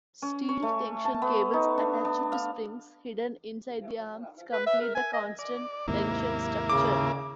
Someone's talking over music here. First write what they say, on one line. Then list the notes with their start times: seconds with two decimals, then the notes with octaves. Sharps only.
Steel tension cables attached to springs hidden inside the arms complete the constant-tension structure.
0.22 C#4
0.49 C#5
0.62 A3
1.05 A5
1.22 B3
1.53 D#4
1.78 D4
2.05 D4
2.32 F5
4.53 B4
4.66 E5
4.81 A#4
4.95 G#5
5.13 D#5
5.39 D5
5.88 D#2 G#2 C3 A#3 E4
6.70 C#3 D6